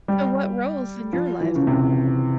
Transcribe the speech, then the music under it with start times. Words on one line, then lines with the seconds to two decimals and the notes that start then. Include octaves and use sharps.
so what roles in your life? Mhm.
0.08 G3
1.13 F3
1.41 E3
1.55 C#3
1.67 C3